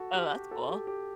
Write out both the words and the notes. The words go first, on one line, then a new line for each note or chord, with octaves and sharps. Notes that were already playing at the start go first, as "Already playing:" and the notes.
Oh, that's cool.
Already playing: F#4 A4
G4
F#4 A4
A4
G4
G4